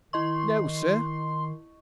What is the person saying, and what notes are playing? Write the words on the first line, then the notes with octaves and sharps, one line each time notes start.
"No, sir."
D#3 E4 D#5 C6 C#6